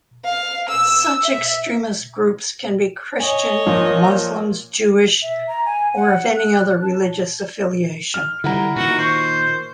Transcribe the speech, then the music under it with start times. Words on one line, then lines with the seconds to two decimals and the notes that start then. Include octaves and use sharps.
Such extremist groups can be Christian, Muslims, Jewish, or of any other religious affiliation.
0.25 F5
0.69 E6
1.23 E5
3.20 C#5 D#5 G#5
3.66 A#2 F3
5.22 E5
5.48 A#5
5.66 G#5
5.96 F#5
6.37 F#6
6.82 A5
8.14 F6
8.44 D3 E3 G3 E4 F#5 A#5
8.76 A#2 D#3 F#4
8.99 C5 C#6